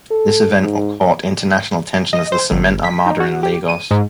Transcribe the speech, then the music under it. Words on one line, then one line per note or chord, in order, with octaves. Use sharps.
This event caught international attention as the cement armada in Lagos.
A4
G#2
D#5
C5
G1
B6
D#4
F#4
G4
D#7
G#2